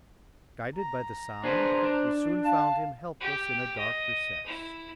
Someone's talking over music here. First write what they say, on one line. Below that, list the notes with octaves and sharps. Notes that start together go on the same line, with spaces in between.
Guided by the sound, we soon found him helpless in a dark recess.
A#5
D4 G#4 B4 C5
D4
F5 A5
G4
D#5
E4